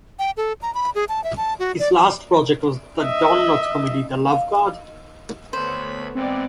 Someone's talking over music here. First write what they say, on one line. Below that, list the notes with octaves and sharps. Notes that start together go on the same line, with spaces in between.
His last project was the Don Knotts comedy The Love God?
G5
A4
A#5
B5
G#4
A5
E5
A5
F#4
D5
D#5 E5
F5
D2 A3 B3 C5 C#5 B5
G#2 E3 B3 C4 D5